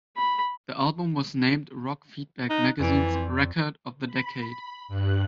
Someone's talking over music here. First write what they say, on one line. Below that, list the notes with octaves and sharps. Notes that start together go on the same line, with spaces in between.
The album was named Rockfeedback magazine's record of the decade.
B5
D#4 F#6
F2 E3 D5 D7
C4
B5
G2 F#6